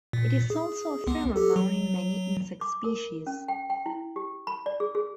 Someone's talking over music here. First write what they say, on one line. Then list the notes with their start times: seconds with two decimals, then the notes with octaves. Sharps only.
It is also a pheromone in many insect species.
0.13 A#2
0.50 G#4
1.07 C#2 B3
1.36 G4 A4
1.56 F#3
2.61 D6
2.84 A#4
3.27 C#4
3.48 G5
3.70 G5
3.86 E4
4.16 G4
4.47 B5
4.66 D5
4.80 G#4
4.95 G#4